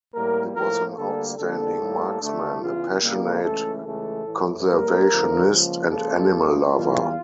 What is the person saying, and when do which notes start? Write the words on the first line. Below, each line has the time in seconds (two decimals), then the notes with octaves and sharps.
He was an outstanding marksman, a passionate conservationist and animal lover.
0.14 A2 G3 A#3 A#4
0.56 A2 F3 A#3 A#4
0.97 D2 D3 G3 A#3 A4
1.38 F2 D3 G3 A#3 A4
1.79 A2 G3 A#3
2.20 D2 D3 A3
2.61 E2 C#3 E3 F4
3.02 E2 C#3 G3 A#3
3.43 C#2 C#3 E3 A3 A4
3.85 C#2 C#3 E3 A3 A4
4.26 A2 E3 A3
4.67 A2 G3 A#3 A#4
5.08 F2 D3 F3 A3
5.49 C#2 C#3 F3 A#3
5.90 C#2 C#3 F3 A#3 A4
6.31 C#2 C#3 G3 A#3
6.73 E2 E3 G3 A#3 F4